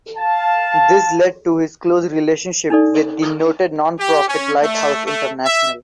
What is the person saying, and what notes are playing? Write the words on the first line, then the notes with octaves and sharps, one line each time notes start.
This led to his close relationship with the noted non-profit Lighthouse International.
F5 A5
D4 D#4 A4 D5
G4
C#4
A3
A3
E5